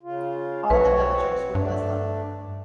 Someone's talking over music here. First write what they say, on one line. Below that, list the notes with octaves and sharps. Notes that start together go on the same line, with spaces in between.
All the villagers were Muslim.
C#3 F4
B1 C4 F#4 B4 C#5
G2 A3 D4